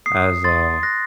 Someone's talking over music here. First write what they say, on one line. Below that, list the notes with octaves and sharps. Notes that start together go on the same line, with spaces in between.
as, uh,
D#6 C7
C6 A6
F#6 A#6